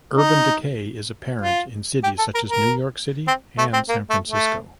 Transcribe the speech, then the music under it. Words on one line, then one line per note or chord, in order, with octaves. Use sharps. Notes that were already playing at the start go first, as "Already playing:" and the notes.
Urban decay is apparent in cities such as New York City and San Francisco.
D#4
F4
G4
A4
A#4
A#4
C4
A3
C4
A#3
A3
A3